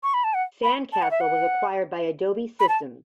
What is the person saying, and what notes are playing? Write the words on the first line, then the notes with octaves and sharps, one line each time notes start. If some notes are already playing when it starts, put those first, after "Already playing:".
Sandcastle was acquired by Adobe Systems.
C#6
B5
A5
F#5
B5
A5
F#5
E5
F#5
B5
A5